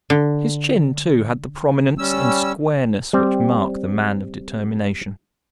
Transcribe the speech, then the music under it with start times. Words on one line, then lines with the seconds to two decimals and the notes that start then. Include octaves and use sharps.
His chin, too, had the prominence and squareness which mark the man of determination.
0.10 D3
1.99 G3 C#4 E6
3.13 G3 C4